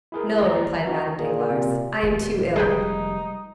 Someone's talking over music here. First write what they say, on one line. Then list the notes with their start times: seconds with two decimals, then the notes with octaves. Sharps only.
"No," replied Madame Danglars, "I am too ill."
0.12 E4 G#4 A#4
0.42 D#2 D5 A#5
0.86 D4 D#4 F#4
1.19 A#2 G#4
1.50 C3
2.03 D#1
2.56 F1 G3 G#3 D#4 G#4 B4 G5